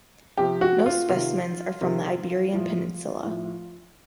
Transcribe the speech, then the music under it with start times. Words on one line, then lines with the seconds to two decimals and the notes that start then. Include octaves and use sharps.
Most specimens are from the Iberian Peninsula.
0.37 C3 F3 G4
0.61 F#4
0.86 F4
1.09 C3 D#3 F4
1.81 C3 D#3
2.53 A2 F3
3.23 A2 F3